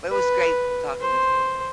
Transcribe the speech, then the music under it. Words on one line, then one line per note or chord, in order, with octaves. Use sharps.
but it was great talking with you.
B4
C5